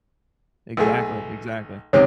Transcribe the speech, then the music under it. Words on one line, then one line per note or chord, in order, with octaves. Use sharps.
Exactly, exactly.
B1 A3 G#4
C#2 C3 D#3 C#5